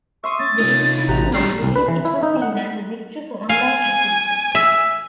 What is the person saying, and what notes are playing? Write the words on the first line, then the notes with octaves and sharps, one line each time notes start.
The decision to not release it was seen as a victory for online activism.
E5 C6 C#6 D#6
C#4 A6
C3 D#4 F4
A1 F#4 G4 A#5
D#3 G3 G#3 C#4 D4 C7
C2
B4
E3
E4
D#4
F#5
F5 G#5
E5